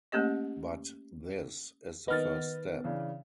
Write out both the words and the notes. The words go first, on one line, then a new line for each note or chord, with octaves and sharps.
But this is the first step.
A3 A#3 C#4 G4 D#5
D#3 B3 D#5 F6 A6
C#3 E3 D4